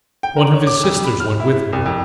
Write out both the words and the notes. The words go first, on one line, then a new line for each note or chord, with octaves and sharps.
One of his sisters went with him.
G5
A#4
C#5
D6
F2
B5
F6
E4
C2
F2